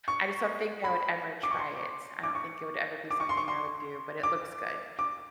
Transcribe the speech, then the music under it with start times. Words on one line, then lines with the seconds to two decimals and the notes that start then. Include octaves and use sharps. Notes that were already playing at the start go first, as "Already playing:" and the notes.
I just don't think I would ever try it. I don't think it would ever be something I would do, but it looks good,
0.08 C#6
0.84 B5
1.43 D6
1.51 C#6
1.59 C6
2.23 D6
2.35 C#6
3.11 D6
3.20 C#6
3.29 C6
3.37 C#6
3.48 C6
4.23 D6
4.99 D6